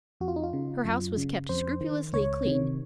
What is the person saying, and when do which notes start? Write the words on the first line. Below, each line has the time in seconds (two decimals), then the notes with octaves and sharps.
Her house was kept scrupulously clean.
0.20 F2 F#4
0.28 F4
0.36 D#4
0.43 F4
0.53 C#3
0.85 F#2
1.17 C#3
1.49 F2 C5
1.81 D#3
2.13 C#2 C#5
2.45 C3 D#3